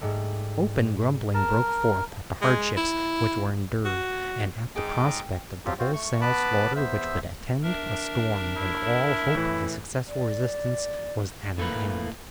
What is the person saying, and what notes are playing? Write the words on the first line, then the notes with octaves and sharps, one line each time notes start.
Open grumbling broke forth at the hardships which were endured, and at the prospect of the wholesale slaughter which would attend a storm when all hope of a successful resistance was at an end.
G#2 G3 A3
A#4 A5 A#5
G#3
E4
F#4
G#2 D#4 G#4 G5 D6
F3 F#3 C4 F4 G4
C4 F4 F#4 C5
A3 C#6
B3 B4 A5 B5 D6
E2 B3 C5 E5 E6
D4 A#4 E5
E4
A2 E3
D5
A2 A3 A#3 B4